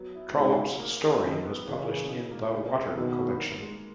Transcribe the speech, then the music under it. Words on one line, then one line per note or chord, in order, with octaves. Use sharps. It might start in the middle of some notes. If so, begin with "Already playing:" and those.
Trollope's story was published in the 'Water' collection.
Already playing: F#3 B3
E4
G#2 B2
F#3
A#3
G#4
F#2 D#3
B3
C#3 E3
E3
B2
A#3
C#3
E4
B2 D#3
A#3
A#4
G#3